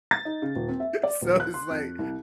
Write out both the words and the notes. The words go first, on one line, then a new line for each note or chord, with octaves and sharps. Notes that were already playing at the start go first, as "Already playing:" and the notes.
so it's like,
A6
D#4
C#3
D#1
C4
E5
D5
D#1
F#6
C6
F2
C2